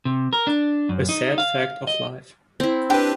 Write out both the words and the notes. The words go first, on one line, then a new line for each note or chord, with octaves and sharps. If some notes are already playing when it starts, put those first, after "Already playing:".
A sad fact of life.
C3
A#4
D4
F#2
D#4
F5
D#5
C4 E4
D4 G4 B4